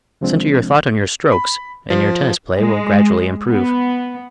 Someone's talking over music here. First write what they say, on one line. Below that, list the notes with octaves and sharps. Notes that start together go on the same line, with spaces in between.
Center your thought on your strokes and your tennis play will gradually improve.
C#2 C3 F3 G#3 C4 D4
B5
F3
G#3
B3